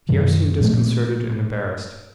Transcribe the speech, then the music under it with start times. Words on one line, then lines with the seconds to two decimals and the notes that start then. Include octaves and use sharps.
Pierre seemed disconcerted and embarrassed.
0.09 F#2 B2 D#3 F#3
0.60 A#2 F3 A3